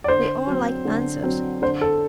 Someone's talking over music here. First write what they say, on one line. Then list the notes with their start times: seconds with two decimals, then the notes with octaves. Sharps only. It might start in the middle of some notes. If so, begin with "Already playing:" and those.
We all like answers.
0.04 D5
0.08 D3 C5
0.47 F#3 C4
0.85 D3
1.23 F#3 C4
1.62 D3 C5
1.81 A4